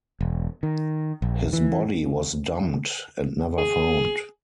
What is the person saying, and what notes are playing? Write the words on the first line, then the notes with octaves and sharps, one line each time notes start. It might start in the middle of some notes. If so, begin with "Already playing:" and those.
His body was dumped and never found.
E1
D#3
A#1
E3
G#4